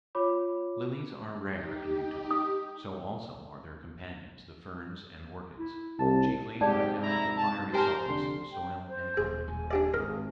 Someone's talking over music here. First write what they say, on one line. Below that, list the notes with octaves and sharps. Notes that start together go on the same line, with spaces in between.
Lilies are rare in Utah; so also are their companions the ferns and orchids, chiefly on account of the fiery saltness of the soil and climate.
F4 C#5 B5 D6
D#4 G4
D#6
E4
C2 A5
G#2 C3 G4 D5 A5
E4 A#5
A5
G4 A#4 C5 G#5 A5
F1 D3 C6
G5
C5
D#1 G#4
D#1 G#5
D4 G4 D5
G#1 G#4 A#4